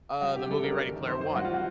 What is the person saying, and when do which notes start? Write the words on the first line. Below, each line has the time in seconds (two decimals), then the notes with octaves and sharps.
Uh, the movie, Ready Player One.
0.21 G2 F#4
0.35 D3 G4
0.50 G2 A4
0.64 D3 A#4
0.78 F#2
0.92 D#3
1.06 F#2 C5
1.21 D#3 C5
1.35 G2 F#4
1.45 F4
1.49 E3 F#4